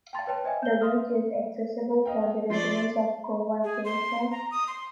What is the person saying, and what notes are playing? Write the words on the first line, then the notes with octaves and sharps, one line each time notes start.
The beach is accessible for the residents of Covacasa.
G5 A5 C6 A6
B4 C#5 G5 A5
C5 D#5 E5 G#5
G6 G7
E5 F5 C6 D#6 F6
D#5 F5 G5
F3 A3 D5 C6
G#4
C6
A#5
D#6
C6